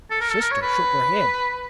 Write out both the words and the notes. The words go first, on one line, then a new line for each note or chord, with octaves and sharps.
My sister shook her head.
A4
A#4
A4
A#4
C#5
B4